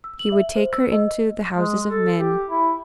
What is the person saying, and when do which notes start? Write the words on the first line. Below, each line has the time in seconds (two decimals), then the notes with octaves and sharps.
He would take her into the houses of men.
0.04 E6
0.19 F#7
0.32 E5
0.56 C5
0.73 E6
0.92 D#5
1.55 G#3
1.87 A4
2.19 G4
2.49 E4